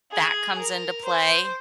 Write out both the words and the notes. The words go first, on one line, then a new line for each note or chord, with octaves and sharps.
that comes into play,
G#4
A#4
C5